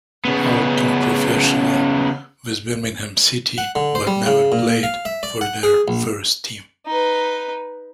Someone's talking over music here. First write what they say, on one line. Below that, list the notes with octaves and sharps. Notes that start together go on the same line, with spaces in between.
Hall turned professional with Birmingham City, but never played for their first team.
C#3 B3
F#5
D3
C5
G3
C#3
A#2
F5
E5
D5
F#5
G#4
A#1
D#4 B4